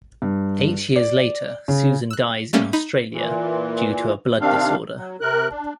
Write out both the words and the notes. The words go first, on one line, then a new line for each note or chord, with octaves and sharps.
Eight years later, Susan dies in Australia due to a "blood disorder".
G2
D5
C#3
E6 F#6
G3 A3 A#3 C#4
D#4 B5
A#2 E3
C3 D#3 C4 D4 F5
F#3
C3 A#4 F#6
D4